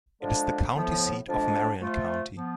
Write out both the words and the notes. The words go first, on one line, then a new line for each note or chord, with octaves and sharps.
It is the county seat of Marion County.
D3 F3 G#3 D4
A2 F3 B3
F2 F3 G#3 D4
F3 A3 F4
F3 B3